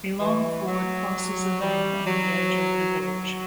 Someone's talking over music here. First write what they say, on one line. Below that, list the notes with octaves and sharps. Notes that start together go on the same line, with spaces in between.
A long ford crosses a lane on the edge of the village.
E3
F#3
G3
F#3
F#3